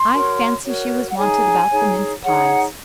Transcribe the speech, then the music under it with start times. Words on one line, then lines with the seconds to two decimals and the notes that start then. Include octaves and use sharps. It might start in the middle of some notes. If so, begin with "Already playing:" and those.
I fancy she was wanted about the mince-pies.
Already playing: C6
0.12 F#4 A#4 C#5
0.65 F#4 A#4 C#5
1.08 F#5
1.17 D#4 G#4 C#5 G#5
1.70 D#4 G#4 C#5
2.23 D#4 G#4 C#5 F#5